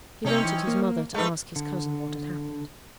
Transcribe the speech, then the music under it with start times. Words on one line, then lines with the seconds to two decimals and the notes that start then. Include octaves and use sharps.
He wanted his mother to ask his cousin what had happened.
0.25 C3 C4 C#4 D#4
0.45 E3
0.67 A#3
1.14 G#3 A3 D#4 B4
1.56 D3